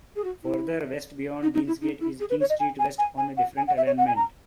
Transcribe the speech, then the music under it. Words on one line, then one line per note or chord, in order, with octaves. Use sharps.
Further west beyond Deansgate is King Street West on a different alignment.
G#4
F#4
E4
D#4
D#4
E4
D#4
E4
G#4
B4
C#5
D#5
G#5
G#5
G#5
G#5
F#5
G#5
F#5
E5
C#5
F#5
G#5
A#5